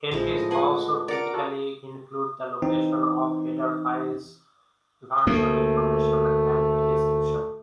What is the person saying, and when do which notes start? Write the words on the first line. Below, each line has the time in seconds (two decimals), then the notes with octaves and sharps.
Entries also typically include the location of header files, version information and a description.
0.11 A#1 F3 G#3 E4
0.35 A2 D#5
0.51 F4 B4 F#5 G#5 A5
1.08 A#4 D5 F#5 D7
1.33 F#4 A4 D5
2.62 E3 C4 D#4
5.27 D2 A3 A#3